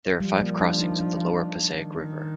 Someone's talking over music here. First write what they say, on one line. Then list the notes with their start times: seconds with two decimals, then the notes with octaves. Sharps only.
There are five crossings of the Lower Passaic River.
0.20 F3 G3
0.41 A#3
0.60 D4
0.80 D#4
1.00 D4
1.80 D#3